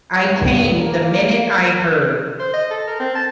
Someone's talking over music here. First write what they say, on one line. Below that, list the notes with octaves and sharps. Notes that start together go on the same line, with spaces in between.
I came the minute I heard.
G2
A#3
C5
D#5
A4
A#4
C4
A5